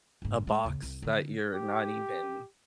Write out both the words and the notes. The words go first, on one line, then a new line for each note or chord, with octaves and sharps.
a box that you're not even,
F#1 G#2
G#3
D#2 C#3
C2
D3 D#3
G4